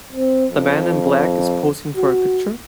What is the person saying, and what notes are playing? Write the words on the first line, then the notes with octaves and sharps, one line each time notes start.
The man in black is posing for a picture.
C4
F2
F#4